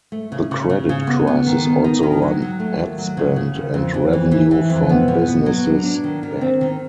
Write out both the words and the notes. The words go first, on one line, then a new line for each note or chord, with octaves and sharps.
The credit crisis also run ad spend and revenue from businesses back.
A3
C#3
C#3
C#3
C#3
B3
B3
D#3
B3
D#4
D#3
F#3
F#3
A3
D#2
F#3
C#3
C#3
D#2
F2
F2
E3
E3
E3
F2
B3
B2
B3
F#3
D4
D4
D#3
D#3
C4
D#3